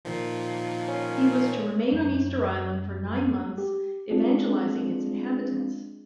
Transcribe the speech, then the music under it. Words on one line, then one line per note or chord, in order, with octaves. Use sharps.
He was to remain on Easter Island for nine months, evangelizing its inhabitants.
A#2 D#3 F3
C#4
F#2
G4
G#3 C4 D4 F4 G#4